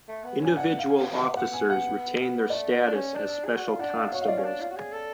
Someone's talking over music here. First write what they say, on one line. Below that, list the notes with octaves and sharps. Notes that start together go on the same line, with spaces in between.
Individual officers retained their status as special constables.
A3
B3
C#4
G#5
D4 F#5
F5
C#4
C#4
B3
F#5
G#5
F#5
B3
A3 D5
B3
D4
C#4
D4
G#4
F#4
F4
D4 F#5
D4 F5
F#4 C#5
F5
F4 D5
C#4
D4
F4
F#4
G#4
A4